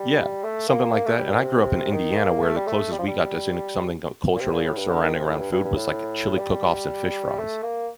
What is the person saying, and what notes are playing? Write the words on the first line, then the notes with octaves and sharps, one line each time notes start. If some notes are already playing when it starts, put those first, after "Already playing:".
Yeah, something like that, and I grew up in Indiana where the closest we got to seeing something cu culturally or surrounding around food was, like, chili cook-offs and fish fries.
Already playing: G3
A3
A#3
A#3
A3
G3
A#2
C3
D#3
A#3
A3
G3
A3
G3
F3
G3
A#2
C3
A#2
A2
G2
D3
D#3
C3
A2
G2
G2
G2
A2
G3
A3
A#3